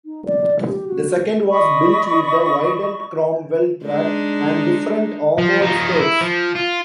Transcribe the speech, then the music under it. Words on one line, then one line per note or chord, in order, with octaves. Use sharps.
The second was built with a widened Cromwell track and different armoured skirts.
D#4
D5
G4
F#4
D5 D#5 B5 C#6
G#3 D4 D#4
F3
F3 D#4
E4
F3
F4